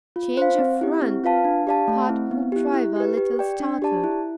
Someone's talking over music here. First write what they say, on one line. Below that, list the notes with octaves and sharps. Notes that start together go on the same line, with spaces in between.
"Change of front," thought Hoopdriver, a little startled.
F4
C5 F5
C4
E4 G4
C4
F4 B4 F5 A5
D4
G4 D5 F5 A5
A3
C4 E4
B3
E4 G4
E4
G4 B4
G4
D5 G5
D4
G4 D5 A5
E4